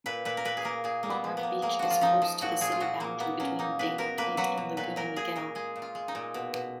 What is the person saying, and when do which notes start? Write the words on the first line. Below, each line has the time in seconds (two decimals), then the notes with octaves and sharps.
Monarch Beach is close to the city-boundary between Dana Point and Laguna Niguel.
0.06 A#2 B4
0.25 A#2 B4
0.37 A#4
0.45 A#2 B4
0.57 G#4
0.64 A#3 A#4
0.84 A#2 G#4
1.03 A#2 A#3
1.10 B3
1.24 F3
1.37 B3
1.43 A#3
1.62 G#3 A#3
1.79 F3 F#4
1.90 F4
2.01 F3 D#4
2.22 F3
2.41 A#2 F#4
2.61 A#2 G#4
2.72 F4
2.80 A#2 F#4
3.00 A#2 A#3
3.20 A#3 B3
3.40 F#3 C#4
3.59 A#3 D#4
3.79 B2 B4
3.98 B2 A#4
4.18 A#3 B4
4.37 F#3 B4
4.57 B2
4.77 A#2 B4
4.96 A#2 A#4
5.16 A#2 G#4
5.36 A#2 A#4
5.55 G#3 G#4
5.76 A#2
5.82 F4
5.95 G#3
6.08 D#4
6.15 A#2
6.34 B2
6.54 B2